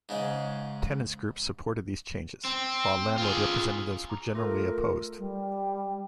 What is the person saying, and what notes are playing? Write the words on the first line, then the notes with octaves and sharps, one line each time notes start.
Tenants' groups supported these changes, while landlord representatives were generally opposed.
G#2 C#3 G#3
C4
F4 G#4
A#5 D6
A3 F4 A4 A#4
G3